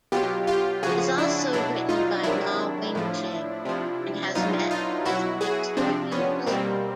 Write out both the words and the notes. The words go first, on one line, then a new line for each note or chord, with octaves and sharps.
It is also written by Ma Wing-shing and has met with mixed reviews.
B2 F#3 F4 G4
F4 G4
C#3 F3 F#4 G#4
D4 E4
B2 F#3 D4 E4
D#4 F4
C3 D#3 F#3 D4 E4
A2 F3
C3 F3
B2 F#3 D#4 F4
D#4 F4
B2 F#3 E4 F#4
F#4 G#4
C3 F3 C4 D4
B3 C#4
B2 G3 A#3 C4